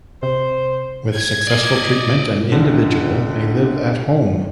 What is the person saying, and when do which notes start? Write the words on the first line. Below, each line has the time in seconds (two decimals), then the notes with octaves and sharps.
With successful treatment, an individual may live at home.
0.23 C3 C5
1.15 G#6
1.48 D5 D#5
2.52 C#2 D3